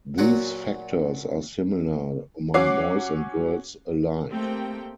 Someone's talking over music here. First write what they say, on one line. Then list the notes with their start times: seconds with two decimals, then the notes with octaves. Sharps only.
These factors are similar among boys and girls alike.
0.18 A#2 F#3 F#4 F#5
2.54 F#3 C#4 F#5 D6 C7
4.30 A3 A#3 C4 G4 A#4 G5